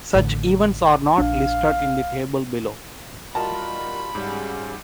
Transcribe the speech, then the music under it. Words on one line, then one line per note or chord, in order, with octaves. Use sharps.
Such events are not listed in the table below.
A1 A2 D3
A#1 D4 F5
G3 D#4 F4 F#4 A#4 D#5 A5 B5
G#2 C#3 G3 C#4 F#4